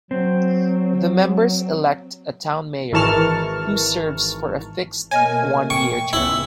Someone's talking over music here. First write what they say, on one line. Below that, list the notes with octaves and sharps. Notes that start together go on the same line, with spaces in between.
The members elect a town mayor, who serves for a fixed one-year term.
F#3 C4
G#1 E3 A#4 A5 C#6 F6
B2 A3 A#3 C#5 D#5 G#5 F6
G5 C#6
C#2 B3 C#4 E4